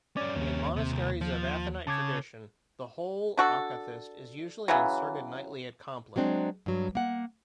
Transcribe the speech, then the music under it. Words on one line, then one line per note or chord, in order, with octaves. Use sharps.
In monasteries of Athonite tradition, the whole Akathist is usually inserted nightly at Compline.
G2 C#4 D5
D#2
C3
C2
F3
C#3 A5 D6 G#6
D4 F#4 A4
C#3 E3 F#3
F#3 G#3 C4 D4
G2 F#3
A#3 F#5